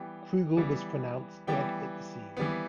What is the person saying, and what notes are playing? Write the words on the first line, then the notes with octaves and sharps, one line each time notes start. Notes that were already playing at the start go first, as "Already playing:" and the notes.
Krugel was pronounced dead at the scene.
Already playing: E3 G3 B3 G5
E3 G3 B3
E3 G3 B3 G5
E3 G3 B3